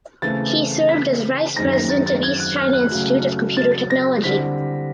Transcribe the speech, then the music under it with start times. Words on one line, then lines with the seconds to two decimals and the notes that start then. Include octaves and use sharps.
He served as Vice President of East China Institute of Computer Technology.
0.22 C#3 E3 A3 C4 A6
0.89 B6
1.56 F#2 D#3 G#3 C4 D#4 A#6
1.73 A#6
1.90 A6
2.06 A6
2.23 G#6
2.40 F#6
2.56 F6
2.73 F#6
2.90 C#3 F#3 A3
3.57 A6
3.90 A#6
4.23 D3 G3 C4 E4 B6